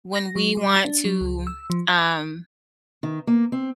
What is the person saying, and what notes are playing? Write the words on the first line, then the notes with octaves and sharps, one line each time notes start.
When we want to, um
A#6
F#3
G3
D4
F#3
C#2
E6
F3
D#3
A#3
C4